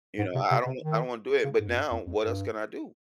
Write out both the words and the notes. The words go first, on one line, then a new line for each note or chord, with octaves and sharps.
You know, I I don't I don't wanna do it, but now, what else can I do?
G#2
C3
C3
C3
D#3
C#3
G#2
F2
G2
F2
F2
G2